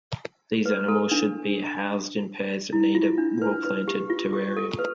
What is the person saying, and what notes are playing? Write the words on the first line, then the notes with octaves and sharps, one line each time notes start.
These animals should be housed in pairs and need a well planted terrarium.
B4
A4
D4
E4
F4
D4
B4
B4
G4
F4
G4
A4
B4